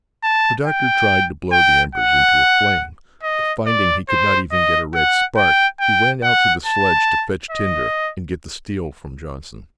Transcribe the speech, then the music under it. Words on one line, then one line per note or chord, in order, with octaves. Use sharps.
The Doctor tried to blow the embers into a flame, but finding he could not even get a red spark, he went out to the sledge to fetch tinder, and get the steel from Johnson.
A5
G5
G5
F#5
D#5
D5
C5
D#5
F#5
G5
G5
F#5
A5
D#5